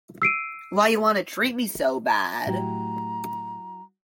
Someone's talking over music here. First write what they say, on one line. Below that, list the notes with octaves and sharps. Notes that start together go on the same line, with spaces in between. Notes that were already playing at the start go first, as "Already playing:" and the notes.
Why You Wanna Treat Me So Bad?
E6 C7 D7 D#7
A2 F#3 A3 E4 G4 A#5